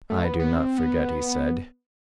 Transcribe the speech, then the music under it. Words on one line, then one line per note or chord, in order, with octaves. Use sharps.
"I do not forget," he said.
A3
B3
B3
C4
B3